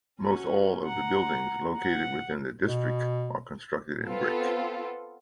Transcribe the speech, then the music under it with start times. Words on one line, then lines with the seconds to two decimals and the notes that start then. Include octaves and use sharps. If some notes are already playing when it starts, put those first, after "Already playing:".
Most all of the buildings located within the district are constructed in brick.
0.21 C#4 F#4
0.84 F#5 A#5
1.77 F#5
2.66 B2
4.06 B3 C4 F4 A4